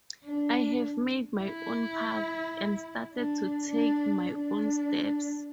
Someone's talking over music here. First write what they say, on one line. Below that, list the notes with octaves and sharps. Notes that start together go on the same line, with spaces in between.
I have made my own path and started to take my own steps.
D4
E4
D4
D4
D4